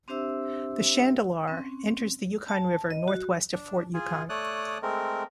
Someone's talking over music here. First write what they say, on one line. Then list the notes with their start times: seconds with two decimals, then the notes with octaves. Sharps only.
The Chandalar enters the Yukon River northwest of Fort Yukon.
0.08 C4 D4 G4 C5 E5 E6
1.48 C4 C#4
2.48 A5
2.90 D#5
3.08 F#4
3.53 D4
3.94 F4 G#4
4.29 A3 C#5 D5 D#6 F#6
4.82 G#3 A3 C4 A#4